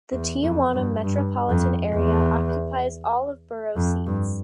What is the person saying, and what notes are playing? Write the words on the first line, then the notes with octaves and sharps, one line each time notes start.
The Tijuana metropolitan area occupies all of borough seats.
E2
F2
G2
G2
F2
E2
F2
G2